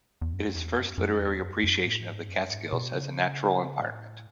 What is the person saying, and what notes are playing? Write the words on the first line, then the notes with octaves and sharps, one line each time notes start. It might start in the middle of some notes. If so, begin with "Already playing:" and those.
It is the first literary appreciation of the Catskills as a natural environment.
E2
F#2
E2
F#2
F#2
E2
F#2
F#2
A2
G#2
F#2
G#2
B2
C#3
A2